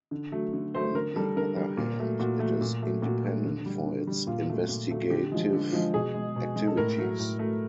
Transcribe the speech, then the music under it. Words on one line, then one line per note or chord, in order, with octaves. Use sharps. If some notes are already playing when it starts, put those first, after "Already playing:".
On the other hand, it is independent for its investigative activities.
D3
F#3 A3
D3
F#3 A3 C5
D3 A#4
G3 A4
D3 A#4
G3
A#2
F#3 A3
A#2 F#4
F#3 A3
A#2
F#3 A3
A#2 F#4
F#3 A3
D3
G3
D3
G3
A#2 F4
F#3 A3
A#2
F#3 A3
D3 G4
F3 G#3
D3
F3 G#3
B2 G#4
G#3
B2
G#3
A4
A2 A#4
F#3 A3
A2
F#3 A3